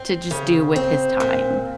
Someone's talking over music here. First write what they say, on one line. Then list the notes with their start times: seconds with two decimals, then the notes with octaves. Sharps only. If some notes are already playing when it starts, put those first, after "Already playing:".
to just do with his time.
Already playing: C4
0.31 C#3
0.76 C4
1.20 A#2